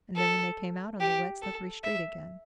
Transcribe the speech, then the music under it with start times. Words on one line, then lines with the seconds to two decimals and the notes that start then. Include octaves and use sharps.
And then they came out on the wet, slippery street again.
0.16 A4
1.01 G4
1.42 A4
1.84 E5